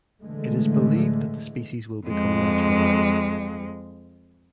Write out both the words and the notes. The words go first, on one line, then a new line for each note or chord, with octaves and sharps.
It is believed that the species will become naturalized.
A2 D3 E3 G#3 A3
F2 G#3